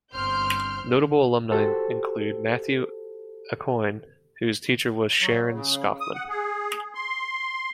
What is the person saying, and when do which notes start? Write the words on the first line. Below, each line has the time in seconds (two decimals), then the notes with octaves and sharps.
Notable alumni include Matthew Aucoin, whose teacher was Sharon Schoffman.
0.13 G1 C4 C6 F6 G6
1.51 F#4 G4 A4 C5
5.21 F#3
5.52 C#3
6.00 D#6
6.15 F#5
6.29 G#4
6.95 C6